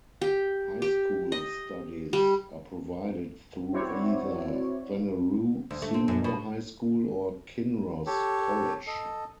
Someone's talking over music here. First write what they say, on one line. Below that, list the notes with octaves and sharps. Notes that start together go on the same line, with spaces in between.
High School studies are provided through either Wanneroo Senior High School or Kinross College.
G4
G4
D#5
G3
C4 E4 F#4 C#5 D5
D2
A3
C4
F#2
B2
G4 A4 C#5
A4 D#5